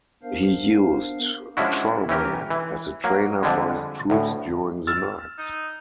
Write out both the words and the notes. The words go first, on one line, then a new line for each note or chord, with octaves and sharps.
He used Trollman as a trainer for his troops during the nights.
B3 D4 A#4 C5 F5
F3 G#3 C#4 D4 E4 F#4
E3 C#4 G4 A#4
E3
F#3 A#3
F2 D3 G3 G#3
D2 A2
E6 F6 A6
D#4